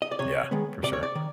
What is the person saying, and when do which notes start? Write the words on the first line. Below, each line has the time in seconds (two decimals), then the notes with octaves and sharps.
Yeah. For sure.
0.02 D#5
0.12 D5
0.19 C3 C#5
0.51 D#3 G#3 B3
0.83 C3 D5
0.93 C#5
1.03 D5
1.15 D#3